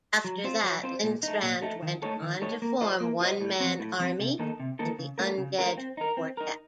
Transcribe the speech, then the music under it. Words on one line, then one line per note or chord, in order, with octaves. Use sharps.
After that, Lindstrand went on to form One Man Army and the Undead Quartet.
F#3
C4 F4 C5
F#3
C4 F4 C5
A#2
A3 D#4
A#2
A3 D#4
D#3
A3 D#4 A4 C#5
D#3
A3 D#4 A4 C#5
A#3
F4 C5 D#5
A#3
F4 C5 D#5
A2
F3 C4
A2
F3 C4
C3
D#3 A#3 D#4 A4
C3
D#3 A#3 D#4 A4
C#3
A3 C#4 F4 A#4
C#3
A3 C#4 F4 A#4
C4
D#4 A#4
C4
D#4 A#4